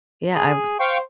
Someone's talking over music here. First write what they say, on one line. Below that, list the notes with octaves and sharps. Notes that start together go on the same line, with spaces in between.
yeah, I've
G#4
C5 F5 G5 C#6